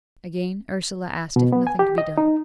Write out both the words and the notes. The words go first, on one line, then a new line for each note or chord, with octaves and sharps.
Again Ursula asked if nothing could be done.
B2
B3
G#5
G4
D#5
D#4